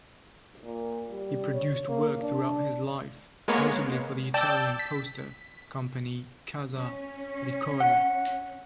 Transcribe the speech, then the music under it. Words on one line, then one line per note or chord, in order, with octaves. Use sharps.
He produced work throughout his life, notably for the Italian poster company Casa Ricordi.
A#2
G3
C#5
A#3
D4
G#3 A#3 B3 C#5
D5 G5 A5 E6 G6 A6
B6
C#4
F#5